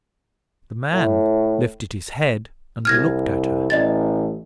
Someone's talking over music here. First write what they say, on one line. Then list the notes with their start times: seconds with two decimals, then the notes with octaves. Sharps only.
The man lifted his head, and looked at her.
0.93 A2
2.85 C2 F6 G#6 A#6
3.70 A1 D5 D#5 A6